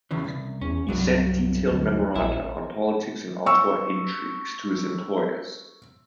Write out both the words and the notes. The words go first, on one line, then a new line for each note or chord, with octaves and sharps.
He sent detailed memoranda on politics and Ottawa intrigues to his employers.
E2 C#3 E3
C2
E2 C#4
C2 G2 F#3
D2
A#1 E4
C#6 E6